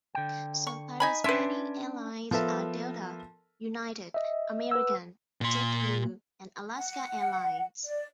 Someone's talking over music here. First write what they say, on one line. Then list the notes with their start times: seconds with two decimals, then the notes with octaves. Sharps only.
Some participating airlines are Delta, United, American, Jet Blue, and Alaska Airlines.
0.15 D3 G5
0.67 C#6
1.00 D#4 G#5 B5
1.24 C#4 D4 B4 E5 C6
2.31 F3 B3 A4 A#4 E5
4.14 D#5 E5
4.71 B4 F#5 E6
5.41 A#2 C6
6.78 F#5
7.84 D5